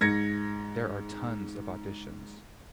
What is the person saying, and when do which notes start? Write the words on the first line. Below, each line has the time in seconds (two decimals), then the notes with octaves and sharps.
There are tons of auditions.
0.01 G#2 G#6 A#6 C#7